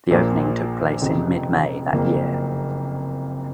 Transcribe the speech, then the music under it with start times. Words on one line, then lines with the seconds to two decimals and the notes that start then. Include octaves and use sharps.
The opening took place in mid May that year.
0.11 A#1 A#2 F3 A#3
1.02 F1 F2 C#3
1.92 F#1 F2 F3 A#3